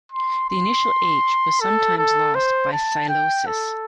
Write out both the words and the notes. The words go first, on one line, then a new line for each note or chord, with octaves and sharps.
The initial "h" was sometimes lost by psilosis.
C6
C6
A4
A4
C5
A5
G5
A4